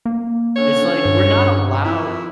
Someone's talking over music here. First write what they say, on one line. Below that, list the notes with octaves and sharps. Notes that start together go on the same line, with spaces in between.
It's like we're not allowed
A#3
D3 C#4 C#5
G2
F2 E4